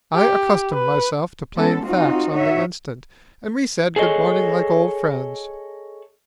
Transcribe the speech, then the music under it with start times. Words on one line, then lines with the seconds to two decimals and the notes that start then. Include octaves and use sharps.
I accustomed myself to plain facts on the instant, and we said good-morning like old friends.
0.15 G4
0.73 B4
1.55 G#3 B3 C#4 A4
1.86 C4 D#4 F4 F#4
2.33 D#4 F#4 C#5 E5
3.96 G#4 A4 C#5 D#5